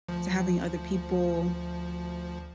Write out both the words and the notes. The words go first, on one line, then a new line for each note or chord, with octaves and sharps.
to having other people
D2 F3